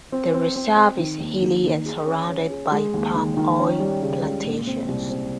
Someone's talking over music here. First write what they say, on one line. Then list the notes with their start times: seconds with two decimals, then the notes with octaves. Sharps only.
The reserve is hilly and surrounded by palm oil plantations.
0.12 C4
0.34 C4
0.56 C4
0.76 C4
0.98 D#3
1.20 D#2
1.42 D#3
1.64 D#3
1.86 G#4
2.06 C#4
2.28 C#4
2.50 G#4
2.72 G#3
2.94 D#2
3.15 D#3
3.37 D#3
3.59 C#4
3.80 G3
4.02 C#3
4.24 C#2
4.45 A#2
4.67 C4
4.88 C2
5.10 C4